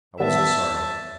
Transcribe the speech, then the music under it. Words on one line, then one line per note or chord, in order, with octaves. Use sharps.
I wasn't sorry.
D#3 G3 B3 E5 A5